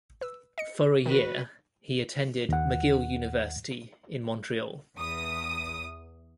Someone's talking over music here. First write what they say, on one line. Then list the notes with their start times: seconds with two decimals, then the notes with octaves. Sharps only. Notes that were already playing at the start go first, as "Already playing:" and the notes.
For a year, he attended McGill University in Montreal.
0.21 B4 E6
0.58 D#5 C#7
1.06 D#3 F#4 B4
2.49 D#2 F#5
4.99 E2 D#6